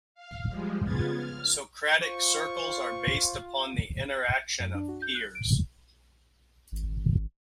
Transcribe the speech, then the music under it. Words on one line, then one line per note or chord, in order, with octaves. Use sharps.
Socratic Circles are based upon the interaction of peers.
F5
F3 G3 G#3
C#3 B3 F4 G#6 A6
F6
F4 C5 C#6
F#2
D4
F#4
G6
F#6
D7
G#1